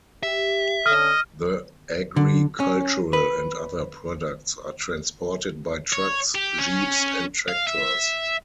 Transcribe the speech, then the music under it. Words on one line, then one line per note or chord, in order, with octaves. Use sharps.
The agricultural and other products are transported by trucks, jeeps and tractors.
G4 E5
D3 C#4 A4 D#5 F6
D3
C#4
B4
C#5
G4
C#4
F5
E5